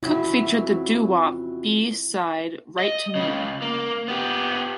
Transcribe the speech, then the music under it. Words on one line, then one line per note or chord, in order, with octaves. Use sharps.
Cook featured the Doo Wop "B" side "Write to me".
F2 C#3 F#3 E4
D#5
C#2 C#3
A#3
B3 G4